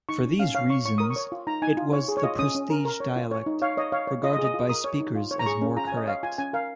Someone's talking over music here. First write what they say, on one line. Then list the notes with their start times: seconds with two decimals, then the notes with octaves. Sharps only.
For these reasons, it was the prestige dialect, regarded by speakers as more correct.
0.09 D#4 C#6
0.24 C#4
0.39 C#4 F5
0.55 C#5 F5
0.70 C#5 C#6
0.86 C#5 C#6
0.98 A#4 D#6
1.10 C#6
1.16 C#5
1.32 F4
1.47 D#4 A#5
1.62 D#4 G#5
1.77 F4
1.92 C#5
2.08 G#4
2.17 C#5
2.23 F4 D#5
2.39 C#4 D#6
2.55 C#4
2.70 A#4
2.85 A#4
3.00 C#5
3.16 F4
3.31 C#5
3.46 D#4
3.62 C#5 F5
3.77 C#5 D#5
3.92 C#5 F5
4.07 C#5
4.23 F4 D#5
4.33 D#5
4.39 G#4
4.44 D#5
4.54 F4
4.69 A#4 D#6
4.84 C#5
5.00 D#4
5.15 F4
5.31 C#5
5.39 A#5
5.46 G#4 C#6
5.62 C#4
5.77 F4 A#5
5.87 G#5
5.92 C#5 D#5
6.07 C#5 F5
6.23 F4 G#5
6.38 C#4 G#5
6.53 A#4 F5